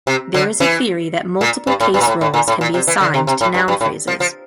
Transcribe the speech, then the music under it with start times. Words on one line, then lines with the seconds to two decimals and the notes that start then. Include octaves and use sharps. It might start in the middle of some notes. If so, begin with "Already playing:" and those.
There is a theory that multiple case roles can be assigned to noun phrases.
0.07 C3
0.34 D3
0.60 E3
1.41 A#2
1.67 G2
1.80 A2
1.94 G2
2.01 A#2
2.07 A2
2.21 A2
2.34 A#2
2.48 A2
2.61 A#2
2.74 C3
2.87 E3
3.00 D3
3.14 C3
3.27 C3
3.41 A2
3.54 G2
3.68 G2
3.81 A2
4.08 F3
4.20 F3